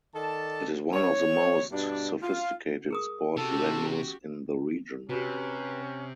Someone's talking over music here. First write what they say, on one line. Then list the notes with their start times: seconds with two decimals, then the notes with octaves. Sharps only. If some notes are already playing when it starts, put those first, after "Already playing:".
It is one of the most sophisticated sports venues in the region.
0.15 D#3 A4 D5 A5
0.94 C#5
1.72 G2 B2 D4
2.23 F4 F5
2.91 G#4 A#4 D#6
3.37 C3 C#4 F#4 G4 A4
5.09 C3 C#4 F#4 G4 B4